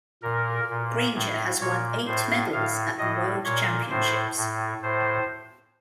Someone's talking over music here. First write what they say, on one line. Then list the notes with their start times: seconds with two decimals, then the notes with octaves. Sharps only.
Grainger has won eight medals at the World Championships.
0.22 A#2 A#4
0.69 A#2
1.15 A2
1.60 A#2 C#5
2.06 A2 C5
2.52 A2 F5
2.98 A2 D#5
3.44 A#2 C#5
3.90 A2 C5
4.37 A2
4.82 A2 C5